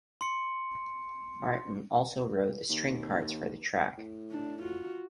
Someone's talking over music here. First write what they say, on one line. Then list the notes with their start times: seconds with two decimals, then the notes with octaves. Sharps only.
Martin also wrote the string parts for the track.
0.21 C6 C#7
2.69 D#2
3.97 A2
4.32 D4
4.62 F4 F#4